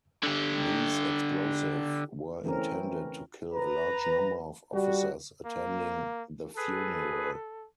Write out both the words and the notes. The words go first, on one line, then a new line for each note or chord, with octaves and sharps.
These explosives were intended to kill a large number of officers attending the funeral.
D3 G4
E3 A3 C4 C#4 A#4
B4 A#5
G3 F#4
A#3
G#4 A4 B4